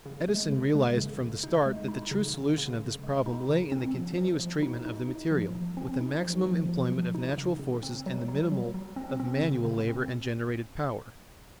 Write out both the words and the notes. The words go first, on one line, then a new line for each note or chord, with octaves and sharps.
Edison realized from the start that the true solution of this problem lay in the continuous treatment of the material, with the maximum employment of natural forces and the minimum of manual labor and generated power.
C#3
G#3
C#3
G#3
C#3
C#3
D#4
G#3
D#4
C#3
C#3
C#3
C#3
G#3
D#4
C#3
C4
F3
F3
F3
D#4
D#4
D#4
F3
F3
C4
D#4
F3
F3
F3
F3
D#4
C#3
C#3
C4
F#3
F#3
F#3
F#3
C4
C4
C#3
C#3
C4